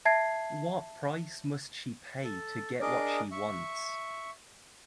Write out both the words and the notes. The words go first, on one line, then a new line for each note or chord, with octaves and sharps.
What price must she pay to get what she wants?
E5 A5 G#6 C7
A4
D4 G#4 A#4 D#5 D6
E5 C#6